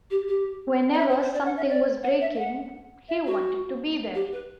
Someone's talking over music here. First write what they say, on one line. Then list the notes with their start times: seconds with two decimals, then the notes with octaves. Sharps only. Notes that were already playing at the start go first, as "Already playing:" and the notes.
Whenever something was breaking, he wanted to be there.
0.10 G4
0.28 G4
0.93 D5
0.98 E5
1.10 C5
1.22 C5
1.33 D5
1.45 F#5
1.56 E5
1.68 D5
2.03 F#5
2.21 E5
2.34 E5
2.38 F#5
3.08 E5
3.26 F#4
4.14 G4
4.32 B4